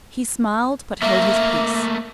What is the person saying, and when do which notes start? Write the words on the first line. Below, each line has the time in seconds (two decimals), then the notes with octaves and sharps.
He smiled, but held his peace.
1.02 A3 A#3 A#4 E5